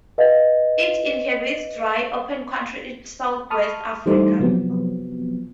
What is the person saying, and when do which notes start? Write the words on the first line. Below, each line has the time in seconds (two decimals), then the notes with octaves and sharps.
It inhabits dry, open country in southwest Africa.
0.18 B4 D#5 F5
3.50 A5 B5 C#6 D#6 F6
4.06 E3 G3 A3 D#4 C5 D6
4.40 C3 F3 F#3 B3